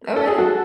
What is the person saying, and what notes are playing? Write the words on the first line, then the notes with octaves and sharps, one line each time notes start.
Oh, really?
A4
G#4
F#4 A4